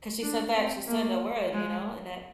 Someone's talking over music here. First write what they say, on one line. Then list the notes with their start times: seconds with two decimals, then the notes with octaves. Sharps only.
'Cause she said that she said the word, you know, and that
0.23 D4
0.56 C4
0.87 A#3
1.53 G#3